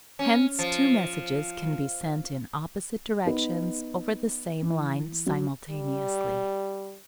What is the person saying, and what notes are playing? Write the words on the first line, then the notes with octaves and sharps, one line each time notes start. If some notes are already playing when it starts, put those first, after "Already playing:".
Hence, two messages can be sent in opposite directions over the same line simultaneously.
C#4
F3
B3 D#4 B4
E3
F#3
G3